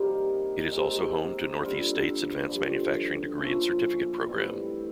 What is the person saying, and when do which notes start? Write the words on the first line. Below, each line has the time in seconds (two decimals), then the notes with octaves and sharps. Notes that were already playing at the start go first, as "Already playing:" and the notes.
It is also home to Northeast State's advanced manufacturing degree and certificate program.
Already playing: C3 D#3 G3 A#3 D#4
0.72 C3 D#3 G#3 C4
1.60 D3 G3 C4 F4
2.48 G2 D3 F3
3.37 A#2 F3 A3 C#4
4.26 A2 E3 G3 C4